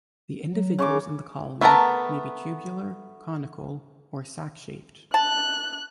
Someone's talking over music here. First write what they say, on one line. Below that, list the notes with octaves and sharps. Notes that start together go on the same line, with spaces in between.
The individuals in the colony may be tubular, conical, or sac-shaped.
F#3
C#3 C#6 D6
A3 B3 A#4 A5 A#5
A5 F#6